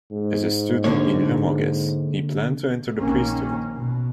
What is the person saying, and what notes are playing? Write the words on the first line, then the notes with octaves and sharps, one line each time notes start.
As a student in Limoges, he planned to enter the priesthood.
G#2
D3 A#3 C#5
A#1 D#3 A#3 C#4
B2